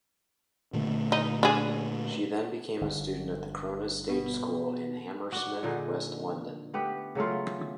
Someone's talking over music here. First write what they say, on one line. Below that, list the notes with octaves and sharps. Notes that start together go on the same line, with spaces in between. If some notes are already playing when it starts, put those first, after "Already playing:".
She then became a student at the Corona Stage School in Hammersmith, West London.
A#2 D3 A3
D#4
D4 G#4
G1
B2
F#4 D5
A#2 D3 D#4 G#4
A3 B3 G4 B4
C#3 F#3 A3 F4